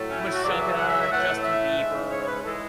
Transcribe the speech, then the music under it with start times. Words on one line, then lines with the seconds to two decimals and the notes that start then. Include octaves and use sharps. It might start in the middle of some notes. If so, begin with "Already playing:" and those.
Meshuggah, Justin Bieber,
Already playing: A2 F#3 A3
0.10 C#4
0.21 E4
0.32 F#4
0.44 C#2 C#3 F#3 D5
0.60 E5
0.76 F#5
0.88 E5
1.00 E5
1.11 A2 E3 A3 F#5
1.43 E5
1.77 G#2 G#3
2.11 C#5
2.23 C#5
2.27 B4
2.45 E3 G#3 A4